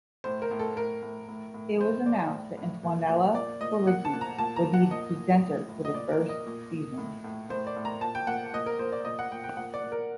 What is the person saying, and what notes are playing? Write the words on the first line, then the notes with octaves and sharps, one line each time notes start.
It was announced that Antonella Clerici would be the presenter for the first season.
A2 C5
A#4
A2
A4
A2 A#4
A2
A2
A2
A2 C5
A2 D5
A2
A2
A#2
A#2
A#2 D5
A#2 D#5
A#2 F#5
A5
A#2
A#5
A#2 A5
A#5
A#2
F#5
A#2 D#5
A#2
A2
A2
D#5
A#2 D5
A#4
A#2
D#5
A#2
A#2
A2
A2
A2 C5
D5
A2
A#5
A#2 A5
G5
A#2 F#5
A#2 D#5
A#4
A#2 C5
D5
A#2 D#5
F#5
A#2 G5
G5
A#2 F#5
D5
A#2
A#4